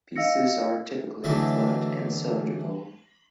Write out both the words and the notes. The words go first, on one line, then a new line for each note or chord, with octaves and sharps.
Pieces are typically flat and cylindrical.
D#5 F5 E6 A#6 C#7
D3 E3 F#3 G#3 A3